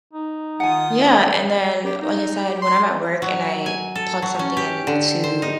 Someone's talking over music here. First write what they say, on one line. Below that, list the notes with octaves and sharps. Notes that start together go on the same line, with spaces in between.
Yeah, and then, like I said, when I'm at work and I plug something into,
D#4
D#3 F4 F#5 G#5 D#6
G4
D#4
G4
C6
F#3
G#5
A4
F#3
C#4
G4
D3
C5
D#4